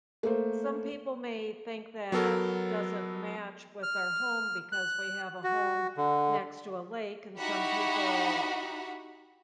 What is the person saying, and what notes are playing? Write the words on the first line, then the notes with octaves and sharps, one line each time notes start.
Some people may think that doesn't match with our home because we have a home next to a lake, and some people
A3 A#3 C5
F#3 B3 A4 A#4
F6
F#6
F#4
D3
D#4 E4 F#4 G4 F#5 B5